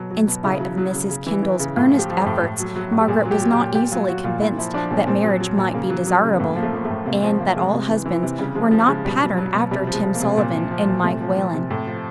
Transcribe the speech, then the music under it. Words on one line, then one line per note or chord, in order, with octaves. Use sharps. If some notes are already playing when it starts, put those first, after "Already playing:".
In spite of Mrs. Kendall's earnest efforts Margaret was not easily convinced that marriage might be desirable, and that all husbands were not patterned after Tim Sullivan and Mike Whalen.
Already playing: B2 F#3
F#3
B2
C#3 E4
F#3
F#3
C#3
C#3
E3
E3
C#3
A2 F4
F3
G4
F3
G4
A2
A2
F#3
F#3
A2 F#4
G4
A#2 G#4
F#3
G4
F#3
G4
A#2
A#2 G4
F#3 F4
F#3 F#4
A#2 F4
A#2 E4
F3 E4
F3 D4
A#2 C#4
A#2 C4
F#3
F#3
A#2
C#3 A#3
F#3
F#3
C#3
B3
A2 A#3
F3 A#3
A3
F3 A#3
A3
A2
C3 A#3
F3 C4
F3 A#3
C3 G#3
C3
E3
E3
C3
C#3 G3
F3 G#3
F3
C#3 G#3
B2 G3
F#3
F#3
B2
C3 G3
F3
G#3
F3
A#3
C3
A#2
F3
F3
A#2
C3 A3
F3
F3
C3
A2
F3